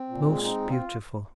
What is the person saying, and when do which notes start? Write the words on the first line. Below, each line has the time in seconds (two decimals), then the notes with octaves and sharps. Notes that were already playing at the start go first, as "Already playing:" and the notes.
Most beautiful.
Already playing: C4
0.09 A#2
0.26 G#3
0.43 C4 D#4
0.61 A#2
0.70 F4